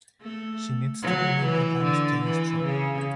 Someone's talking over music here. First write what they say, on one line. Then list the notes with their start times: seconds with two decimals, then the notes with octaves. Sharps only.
She needs to believe that I'm staying strong.
0.21 A3
1.02 F#3
1.42 E3
1.83 D3
2.24 E3
2.64 C#3